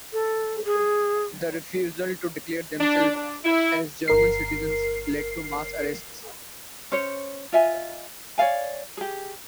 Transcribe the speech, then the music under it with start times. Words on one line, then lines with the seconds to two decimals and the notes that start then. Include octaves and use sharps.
The refusal to declare themselves as German citizens led to mass arrests.
0.13 A4
0.66 G#4
2.81 D4
3.15 D4
3.45 E4
4.08 G1 A#4 C7
6.92 C#4 C5 C#5
7.53 F4 D#5 E5 G#5
8.38 C#5 D5 F5 G#5
8.97 G4 G#4